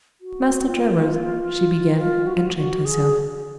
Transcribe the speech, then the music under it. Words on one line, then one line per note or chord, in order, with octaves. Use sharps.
"Master Gerard," she began--and checked herself.
F#4
F4
F4
F#4
F4
F#4
F#4
G#4